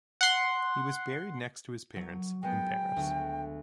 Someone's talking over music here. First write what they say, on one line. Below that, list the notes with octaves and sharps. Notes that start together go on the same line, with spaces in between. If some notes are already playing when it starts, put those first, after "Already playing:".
He was buried next to his parents in Paris.
F#5 C6
F#3
G#3 B3 G5
D2